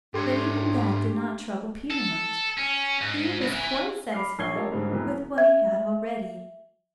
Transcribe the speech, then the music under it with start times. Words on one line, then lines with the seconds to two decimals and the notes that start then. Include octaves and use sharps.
But even that did not trouble Peter much; he was quite satisfied with what he had already.
0.14 G#2 D4 G4 A4 C#5 C6 G#6
1.91 A4
2.58 C#4
3.01 G#2
3.42 C2
3.55 E3
4.12 B5 D6 F6 C7
4.39 A#1 C#5 C#6 G#6 C7 G7
4.55 G4 A4 A#4 C#5 D#5 F5
4.72 G#2 D3 G3 G#3
4.91 F1 B1 B2 E3 A3 A#5
5.38 E5 G#6